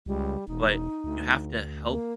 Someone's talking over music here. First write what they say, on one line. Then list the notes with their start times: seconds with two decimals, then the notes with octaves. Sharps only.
but you have to help
0.06 C#2 G3
0.48 E1 D#4
1.04 D2
1.91 A#3